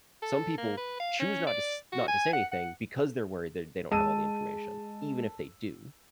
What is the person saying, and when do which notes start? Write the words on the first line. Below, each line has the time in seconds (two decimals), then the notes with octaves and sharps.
Some people choose not to s not to say anything because they're worried there they don't have all the information, even if they do.
0.22 A4
0.58 A#3
0.78 B4
1.00 F5
1.20 C#4
1.47 D5
1.93 F#4
2.08 G#5
2.33 F#5
2.52 F#5
3.92 G#3 A5 E6 D#7